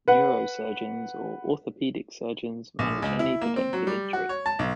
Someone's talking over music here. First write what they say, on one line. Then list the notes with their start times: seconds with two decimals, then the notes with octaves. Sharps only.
Neurosurgeons or orthopaedic surgeons manage any detected injury.
0.08 B4 F#5
2.79 A#1
3.02 C#2
3.19 E4
3.41 A#3
3.56 C4
3.73 F#3
3.87 G3
4.13 F#4
4.29 C#5
4.46 A5
4.59 B1